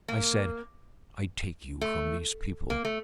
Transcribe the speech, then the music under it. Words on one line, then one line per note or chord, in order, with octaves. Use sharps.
I said, 'I take you from those people.
A#3
A3
A#3
A3